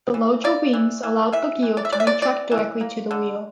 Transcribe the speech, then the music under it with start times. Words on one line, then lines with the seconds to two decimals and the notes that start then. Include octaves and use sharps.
The larger wings allowed the gear to retract directly to the rear.
0.14 E3
0.44 A#3 D5
0.73 E3
1.03 E3
1.32 E3 E5
1.63 E3
1.77 D5
1.85 E5
1.92 E3 D5
2.00 E5
2.07 D5
2.22 E3 D5
2.52 E3
2.81 A#3
3.11 D3